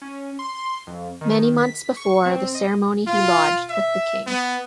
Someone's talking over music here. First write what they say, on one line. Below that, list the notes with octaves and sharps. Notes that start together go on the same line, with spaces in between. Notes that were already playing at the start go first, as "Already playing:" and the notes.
Many months before the ceremony he lodged with the king.
C#4
C6
C6
F2
D#3
B6
C#6
C4
D#5
F4
E5
B3